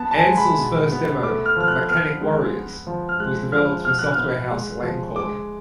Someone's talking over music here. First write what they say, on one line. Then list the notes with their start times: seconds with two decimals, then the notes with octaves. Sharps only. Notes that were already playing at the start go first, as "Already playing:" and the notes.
Ancel's first demo, "Mechanic Warriors", was developed for software house Lankhor.
Already playing: B3 A5
0.11 A5
0.16 G#5
0.27 G#3
0.37 B5
0.58 B2
0.92 B3
1.23 A3 D6
1.46 F6
1.57 F3 F6
1.68 F#6
1.89 B3 F6
2.21 G#3
2.54 B3
2.87 F3
3.09 F6
3.20 G#3 F#6
3.52 F3 F6
3.85 B2 F6
3.99 F#6
4.12 F6
4.18 B3
4.51 G#3
4.83 F3
5.16 G#3 D6